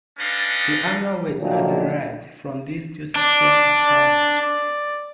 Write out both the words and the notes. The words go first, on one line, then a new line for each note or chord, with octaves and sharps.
The annual weights are derived from this new system accounts.
A3 C#4 D4 B4 D#5 F5
A#2 D3 D#3 F3 F#3 A3
D4 D5